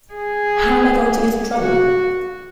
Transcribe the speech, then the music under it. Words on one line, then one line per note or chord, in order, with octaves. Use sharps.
How am I going to get in trouble?
G#4
F#4